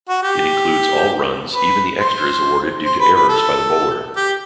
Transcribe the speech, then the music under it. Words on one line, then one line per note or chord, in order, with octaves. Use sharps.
It includes all runs, even the extras awarded due to errors by the bowler.
F#4
G4
B4
C5
C5
B4
B4
A4
G4